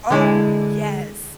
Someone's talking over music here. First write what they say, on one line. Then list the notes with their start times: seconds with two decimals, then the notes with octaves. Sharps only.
Oh, yes.
0.10 D3 G#3 E4